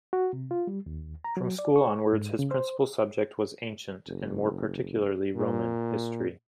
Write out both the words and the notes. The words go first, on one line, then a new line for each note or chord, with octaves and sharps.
From school onwards his principal subject was ancient and more particularly Roman history.
F#4
C3
F4
G3
D#2
A#5
F#3
D5
C#6
G#2
C#3
C5
F#1
A#2